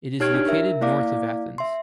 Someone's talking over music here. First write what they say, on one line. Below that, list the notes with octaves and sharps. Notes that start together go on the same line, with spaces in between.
It is located north of Athens.
D#4 G4 C#5 F6 G#6 D7
D4
A#4 E5
A#3 E4 D5 F5 D6
E5 C6